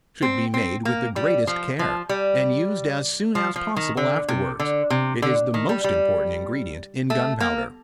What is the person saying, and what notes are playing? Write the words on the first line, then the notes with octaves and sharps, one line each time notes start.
It should be made with the greatest care, and used as soon as possible afterwards: it is the most important ingredient in gunpowder.
C4
C4
A#3
G3
F3
F3
G3
F3
F3
D#3
D3
C3
D3
C3
D3
D#3
G3
G3
A3
A#3